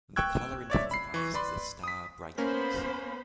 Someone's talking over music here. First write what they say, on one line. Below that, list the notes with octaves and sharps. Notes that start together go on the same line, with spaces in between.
The color intensifies as the star brightens.
G5 C#6 E6 F#6 G#6
C#5 D5 E5
B5 C7
E3 C#6
B4 D5 B5 C6
D#6 B6
A#3 B3 C#4 A#4 C5 B5